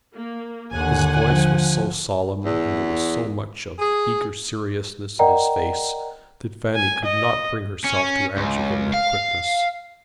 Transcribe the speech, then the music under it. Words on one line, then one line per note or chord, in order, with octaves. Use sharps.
His voice was so solemn, and there was so much of eager seriousness in his face that Fanny could not bring herself to answer him with quickness.
A#3
D#2 D3 F#5 G#5
D3 F3
E2
G#4
A#4 D5 D#5 F#5 G5 A#5
G#5
D#5
C#4
C#2
F5